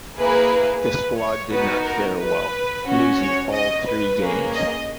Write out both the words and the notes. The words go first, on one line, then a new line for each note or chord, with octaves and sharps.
The squad did not fare well, losing all three games.
A#3 E4 G#4 B4
B4
C#5
B3 D#4 F#4 B4
A#4
B4
C#4 F#4
C#5
D#5
B4
A#3 C#4 G#4
D#5